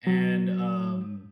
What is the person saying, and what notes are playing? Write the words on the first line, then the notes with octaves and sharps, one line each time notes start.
and, um,
F#3